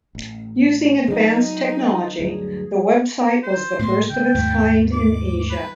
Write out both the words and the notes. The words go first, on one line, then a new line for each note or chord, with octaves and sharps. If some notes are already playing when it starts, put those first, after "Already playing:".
Using advanced technology, the website was the first of its kind in Asia.
A1
C#3 F#3 G#3 C4 D#4
D2 G2 F#3 G#4
C5
A2 A3 A#3 C6
C#3 G5
D#2 G#2 A3
D6
B4